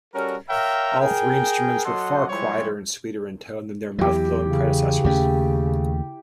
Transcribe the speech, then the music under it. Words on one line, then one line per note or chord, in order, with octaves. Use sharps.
All three instruments were far quieter and sweeter in tone than their mouth-blown predecessors.
G3 C#4 F#4 A4 A#4
A#4 C#5 E5 F5 G5 A#5
G#4 A#4 G5
F#3 A4 D#5 F#5 C6
F3 G3 G#3 E4 C5 C#5
E2 F#3 E4 G4
C#3
D#2 A3 C#4 G4 G5